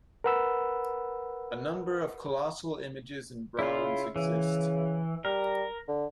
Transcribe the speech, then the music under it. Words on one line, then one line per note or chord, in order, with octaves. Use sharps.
A number of colossal images in bronze exist.
A#4 B4 F#5 B5 E6
C#3 E4 F4
C#3 E3
G3 A#4
D3